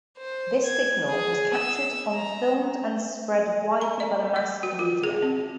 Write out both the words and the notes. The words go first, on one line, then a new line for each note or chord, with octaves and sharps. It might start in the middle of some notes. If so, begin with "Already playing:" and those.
This signal was captured on filmed and spread widely by the mass media.
C5
G#6
G#4
E6
A#5
A#5
D5
D5
F#4
F4
G#4
C4